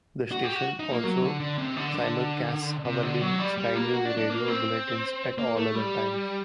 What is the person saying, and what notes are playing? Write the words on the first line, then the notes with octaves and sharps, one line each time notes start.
The station also simulcasts hourly Sky News Radio bulletins at all other times.
F#4
G4
F#4
D#4
A#3
F#3
D3
D3
C3
D3
D3
C3
D3
F#3
G3
G3
A#3
F#4
D4
D4
A#3
C4
A#3
A3
G3